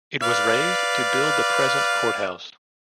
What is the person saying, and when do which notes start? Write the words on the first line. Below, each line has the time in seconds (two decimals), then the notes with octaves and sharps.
It was razed to build the present courthouse.
0.23 B4 D5 F5